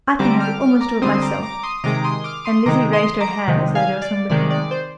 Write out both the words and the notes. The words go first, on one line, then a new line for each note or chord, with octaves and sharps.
"I think I could almost do it myself." And Lizzie raised her hand as though there were some weapon in it.
D3 G3 C4 A#5 D6
D6 F6
D6 F6
A#5 D6
D3 G3 C4 C6 D#6
A#5 D6
A#5 D6
C6 D#6
C3 D#3 G#3 A#5 D6
C6 D#6
D6 F6
C6 D#6
C3 D#3 G#3 A#5 D6
C6 D#6
A#5 D6
C3 D#3 G#3
F5 G#5
D5
C3 D#3 G#3 D5
D5
C5